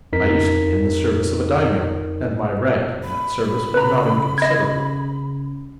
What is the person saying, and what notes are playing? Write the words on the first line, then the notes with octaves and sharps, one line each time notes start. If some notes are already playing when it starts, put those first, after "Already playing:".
I used to be in the service of a daimyo; and my rank in that service was not inconsiderable.
F2 D#4 A#4 B6
B5
C#3 B4 A#5
D#5 G#6